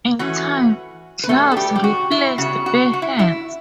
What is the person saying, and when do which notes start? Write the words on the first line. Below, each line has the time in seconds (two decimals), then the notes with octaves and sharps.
In time, gloves replaced bare hands.
0.19 E3 A3 C#4 F#4
1.24 B4
1.29 B2 G3 A3 B3 A4
1.52 A4
1.57 G3 G4
1.76 G4
1.84 F#4
2.11 E4
2.38 C#3 G3 B3 F#4
2.66 F#4
2.93 F#4
3.02 E4
3.19 E4